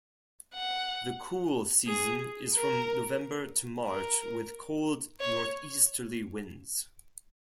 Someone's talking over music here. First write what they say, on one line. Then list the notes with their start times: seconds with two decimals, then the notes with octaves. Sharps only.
The cool season is from November to March with cold northeasterly winds.
0.54 F#5
1.87 G#4
2.54 A#4
3.87 A#4
5.20 C#5